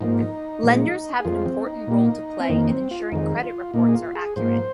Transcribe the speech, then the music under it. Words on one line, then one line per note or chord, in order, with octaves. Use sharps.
Lenders have an important role to play in ensuring credit reports are accurate.
G#2 F3 A#3 D#4
A#2 F3 G#3
G#4
F2 F3 G#3 F4
C4
D#4
A#2 A#3
C4
F2 D#3 A#3 D#4
C4
F4
F2 D#3 G#3 D#4
F4
A#2 A#3 D#4
G#4
F4
G#4
G#2 F3 A#3 C5